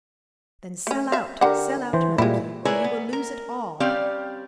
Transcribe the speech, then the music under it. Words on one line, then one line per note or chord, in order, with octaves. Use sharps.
"Then sell out--sell out, marquis, or you will lose it all."
A3 C#4
E5 F5
D3 G4 A#4 F#5
E3 C5
A#2 G3 G#3 E4
E4 G#4 A#4 B4 C#5 D5
B3
A#4
G3 C4 C#4 G4 D5 F5